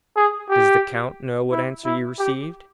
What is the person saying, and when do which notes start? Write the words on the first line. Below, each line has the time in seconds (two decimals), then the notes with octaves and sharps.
"Does the count know what answer you received?"
0.16 G#4
0.50 G4
1.52 E4
1.85 E4
2.19 G4